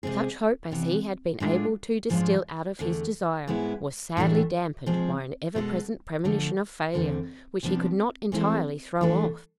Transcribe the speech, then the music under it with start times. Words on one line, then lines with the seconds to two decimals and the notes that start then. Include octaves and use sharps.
Such hope as he had been able to distil out of his desire was sadly dampened by an ever-present premonition of failure, which he could not entirely throw off.
0.03 C3 G#3 C4 G#4
0.72 C3 E3 B3
1.40 A2 G#3 D4 F4 G#4
2.09 G#2 F3 G#3 D4 F4
2.79 E2 D3 A3
3.47 G#2 G#3 B3 E4
4.17 A2 E3 A3 D4
4.86 F3 G#3 C4 G#4
5.55 B2 G#3 B3 E4 A4
6.25 D3 F3 A3
6.94 E2 D3 A3 C4
7.63 C3 F3 B3 D4
8.32 E3 G#3 C4 E4 A4
9.01 E3 A3 D4 A4